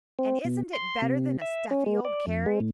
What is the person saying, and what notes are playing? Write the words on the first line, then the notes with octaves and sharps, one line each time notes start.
"And isn't it better than a stuffy old carriage?"
C4
B2
C6
C3
E5
C#4
G#3
D5
F2
G#3
A2